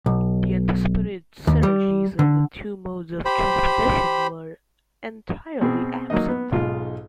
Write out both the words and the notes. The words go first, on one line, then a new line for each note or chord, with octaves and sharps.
The anticipated synergies of the two modes of transportation were entirely absent.
B1
D#2
G3
D3
G4 C5 B5
B2 C4 G#4
F#3 A#3 D#4 D#5
B3
B1 G#2 F4